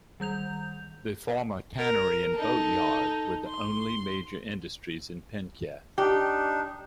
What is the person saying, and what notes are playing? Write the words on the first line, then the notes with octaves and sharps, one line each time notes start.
The former tannery and boatyard were the only major industries in Penketh.
D#3 G3 G6 F7
A#4
D#4 A4
C6
D4 D#4 G4